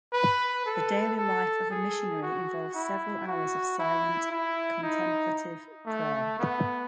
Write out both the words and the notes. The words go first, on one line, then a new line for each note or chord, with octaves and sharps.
The daily life of a missionary involves several hours of silent contemplative prayer.
B4
A4
A4
G#4
F#4
E4
F#4
E4
E4
D#4
A3
B3